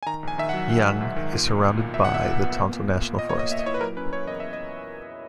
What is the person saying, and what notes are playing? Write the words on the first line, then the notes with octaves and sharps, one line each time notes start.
Young is surrounded by the Tonto National Forest.
G#5
D#3 A#5
A#1 G#5
D#3 E5
F#5
F#3
D#3 F#5
D#3
G#2
D#3
A#2
B1
B1
A#2
B1 E5
F#5
B1 E5
A#2
B3
A#3
A#2
A#3
A#2
A#2 D#5
A#3 C#5
D#5
A#2 E5
D#5
E4 C#5
B4
F#3 A#4
C#4 B4
C#4 C#5
E2 D#5
E2 E5
D#5